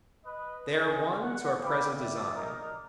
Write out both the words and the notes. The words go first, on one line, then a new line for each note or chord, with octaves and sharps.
They are one to our present design.
B4 D#5
G#4
F#5
A#3 B4 F5 G5 B5 D6
D5 E5
D#4 A#4 D5